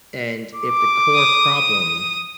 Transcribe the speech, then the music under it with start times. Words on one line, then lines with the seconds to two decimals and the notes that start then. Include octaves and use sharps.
and if the core problem
0.55 D6
1.15 D#6